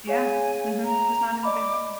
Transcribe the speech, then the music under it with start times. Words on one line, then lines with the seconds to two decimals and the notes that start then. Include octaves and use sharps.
Yeah, mhm, 'cause not everybody has one.
0.07 G#4 C#5 F5 G#5
0.84 A#5
1.43 D5 D#5 B5 D6